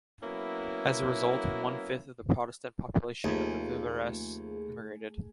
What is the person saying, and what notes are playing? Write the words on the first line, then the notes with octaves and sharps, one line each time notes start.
As a result, one-fifth of the Protestant population of the Vivarais emigrated.
F#3 A#3 B3 C#4 E4
D#2 C3 F3 A3 G#4